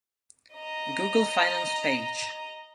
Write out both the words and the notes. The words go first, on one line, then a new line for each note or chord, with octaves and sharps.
Google Finance Page.
D#5 A#5